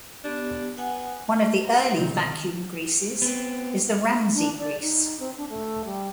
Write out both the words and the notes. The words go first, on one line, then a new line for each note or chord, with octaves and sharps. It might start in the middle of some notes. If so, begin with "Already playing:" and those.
One of the early vacuum greases is the Ramsay grease.
B3 D4 G4
B3 F#5 G#5
B4 A#5
E5 A#6 C#7
B1 D3 D#3 C4 A#5
F5 C7 C#7
B3 C4
D4
D5
D#4
C4
D4
A3
G3